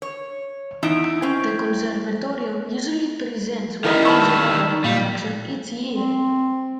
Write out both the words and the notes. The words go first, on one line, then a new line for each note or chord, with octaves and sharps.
The Conservatorium usually presents one major opera production each year.
C#5
E2 D#4 E4 E5 D7
C4 C#4
D#3 G3 E4 A#4 D#5
A5 B5 C#6 E6
D#4
A#2 G3 F5
C4